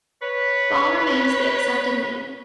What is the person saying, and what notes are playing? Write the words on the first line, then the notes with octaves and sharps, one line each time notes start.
Ball remains the accepted name.
B4 C#5